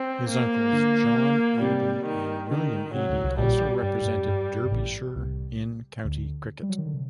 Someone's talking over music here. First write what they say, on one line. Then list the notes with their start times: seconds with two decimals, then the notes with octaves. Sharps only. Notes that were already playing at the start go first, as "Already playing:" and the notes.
His uncles John Eadie and William Eadie also represented Derbyshire in County Cricket.
Already playing: C4
0.29 A#3
0.73 D3 D4
1.61 C3 G3 C4
2.06 D#3
2.50 D3 D#3 D4
2.94 C3 F#3 C4
3.09 D2 D3
3.24 C2 C3
3.38 A#1 A#2 G3
3.82 G2 G3
4.01 A2
4.05 G2
4.17 F#2
4.28 G2
4.65 G2
4.71 A1 A2
5.16 C2 C3
6.04 D2 D3
6.63 G3
6.69 F#3
6.78 D#3
6.86 D3
6.93 C3